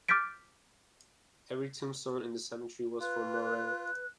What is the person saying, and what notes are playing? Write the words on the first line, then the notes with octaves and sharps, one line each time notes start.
"Every tombstone in the cemetery was for a Moreau".
D6 F6 G6 A6 B6 D7
F4 B4 F#6